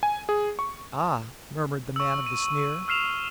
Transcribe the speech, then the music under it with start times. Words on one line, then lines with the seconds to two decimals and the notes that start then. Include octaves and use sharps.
"Ah!" murmured the man of the sneer.
0.03 G#5
0.29 G#4
0.59 C#6
1.96 C#6 E6
2.26 D#7
2.88 E6 F6 C7 E7 F7